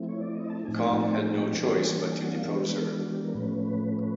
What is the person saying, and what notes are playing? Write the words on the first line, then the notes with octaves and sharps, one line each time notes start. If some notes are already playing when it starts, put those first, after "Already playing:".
Cong had no choice but to depose her.
Already playing: F3 A3 C4 E4
C#5
D5
D#5
A5
A2 F3 A3 C4 D#4 G#5
G#5
G5
A5
A5
G#5
G5
G5
E3 G3 A#3 D4 G#5
A5
G#5
F#5
F5
E3 G#3 B3 D4 D#5
C5
B4
A4
G4
F#4
G4
A#4
A2 F3 A3 C#4 B4